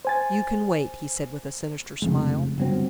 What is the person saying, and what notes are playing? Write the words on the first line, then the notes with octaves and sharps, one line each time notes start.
"You can wait," he said with a sinister smile.
C5 G#5 A6
F1 F2 C#3 G#3
G1 F#3 C4